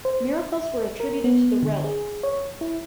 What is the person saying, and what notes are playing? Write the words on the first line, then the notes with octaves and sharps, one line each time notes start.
Miracles were attributed to the relics.
C5
E5
A#4
B3
D3
G#4
C#5
E4